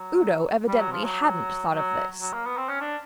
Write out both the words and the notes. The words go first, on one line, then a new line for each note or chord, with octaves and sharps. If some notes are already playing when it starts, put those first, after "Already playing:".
Udo evidently hadn't thought of this.
Already playing: F#3
G3
F#3
F3
F#3
F#3
F#3
A#3
B3
C4
C#4
D4